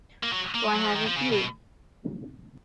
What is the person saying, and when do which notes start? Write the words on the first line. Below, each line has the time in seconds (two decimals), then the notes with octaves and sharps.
Why haven't you?
0.23 A#3
0.32 F#3
0.54 A#3
0.64 G#3
0.75 F#3
0.85 F3
0.96 D#3
1.07 F3
1.17 C#3
1.33 B2